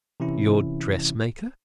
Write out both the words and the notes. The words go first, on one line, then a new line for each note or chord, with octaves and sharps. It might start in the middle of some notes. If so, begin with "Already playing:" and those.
"Your dressmaker?"
C3 E3 C#4 E4